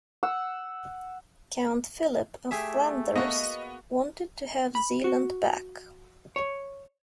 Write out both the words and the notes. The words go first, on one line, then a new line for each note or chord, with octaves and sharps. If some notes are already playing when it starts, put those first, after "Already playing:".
Count Philip of Flanders wanted to have Zeeland back.
F#5 E6
A3 G4 G#4 E5
A#3 B3 F#4 D#5
B5
F#4
C#5